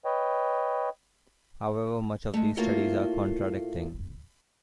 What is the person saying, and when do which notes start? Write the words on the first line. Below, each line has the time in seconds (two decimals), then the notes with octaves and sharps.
However, much of these studies are contradicting.
0.05 B4 C#5 D#5 G5
2.34 G#3 A3
2.57 A2 A3 A#3 F4 F#4 F5